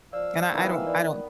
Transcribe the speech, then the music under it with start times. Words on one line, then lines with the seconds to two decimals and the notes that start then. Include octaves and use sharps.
and I I don't I don't
0.13 F3 D5 F5 E6
0.54 D#3 E3 B3
0.87 D5